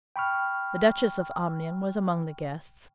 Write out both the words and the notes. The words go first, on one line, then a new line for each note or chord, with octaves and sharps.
The Duchess of Omnium was among the guests.
G5 B5 C#6 F6